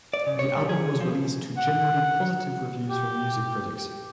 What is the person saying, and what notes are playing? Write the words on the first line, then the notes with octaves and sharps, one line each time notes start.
The album was released to generally positive reviews from music critics.
D5
C#3
C#5
G3
G#4
F3
F#5
G4